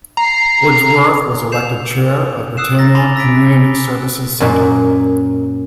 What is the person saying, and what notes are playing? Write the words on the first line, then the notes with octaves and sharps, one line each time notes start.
Woodsworth was elected chair of Britannia Community Services Centre.
A#5 C7
G6 C7 E7 F7
D#6 E6 F#6 C7 E7
A#5 A6 A#6
G#5 B5 C6 D6 A6 F7
E6 A#6 B6 D7
F#2 A#2